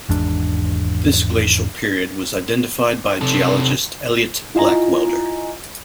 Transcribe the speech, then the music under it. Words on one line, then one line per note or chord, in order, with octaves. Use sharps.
This glacial period was identified by geologist Eliot Blackwelder.
G#1 E2 G#2 D4
C3 A4
E4 F4 D#5 G#5 A#5